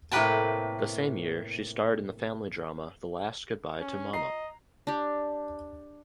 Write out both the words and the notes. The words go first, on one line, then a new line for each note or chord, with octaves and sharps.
The same year she starred in the family drama "The Last Goodbye to Mama".
A2 C3 A#3 B4 G5 A5
C#4
D#5 A#5 C7
D4 G4